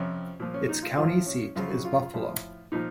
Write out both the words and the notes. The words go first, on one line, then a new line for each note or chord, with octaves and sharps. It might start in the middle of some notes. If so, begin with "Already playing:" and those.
Its county seat is Buffalo.
Already playing: F2 C3 F3 C#4
A#2 F3
C#4
D#4
F4
A2 F3 F4
C#4
F#2 C#3 F3 F4
F#4
F4
A2 F3
A#2 F3 D#4